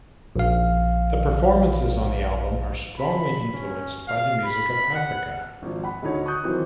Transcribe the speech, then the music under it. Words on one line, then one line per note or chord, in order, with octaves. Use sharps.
The performances on the album are strongly influenced by the music of Africa.
A#1 F5
B5
C#4
F5
B5
F#5
G#1 F3
F#5 B5
D2 D3 D#4 C#5
C#6 D#6 F#6 G6
D#3 E3 F#3 C4 F4